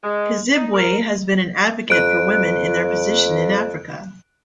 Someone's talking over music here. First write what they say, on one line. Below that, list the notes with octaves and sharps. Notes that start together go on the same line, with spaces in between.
Kazibwe has been an advocate for women in their position in Africa.
G#3
D#4
A#4
F2 F#6 D7